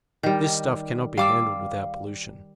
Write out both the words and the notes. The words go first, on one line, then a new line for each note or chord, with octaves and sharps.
This stuff cannot be handled without pollution.
D#3 G3 G6
G3 F5 D6 E6